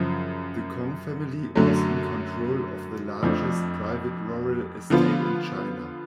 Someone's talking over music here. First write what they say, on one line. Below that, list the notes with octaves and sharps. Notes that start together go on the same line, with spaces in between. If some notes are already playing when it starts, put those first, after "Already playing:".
The Kong family was in control of the largest private rural estate in China.
Already playing: F#2 C#3 F3
F#2 D3 F#3 A3
F2 F3 A3 D4
D3 F3 B3 F4